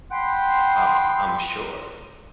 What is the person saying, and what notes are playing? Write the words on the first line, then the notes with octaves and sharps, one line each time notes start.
I'm I'm sure.
F#5 G5 B5 C6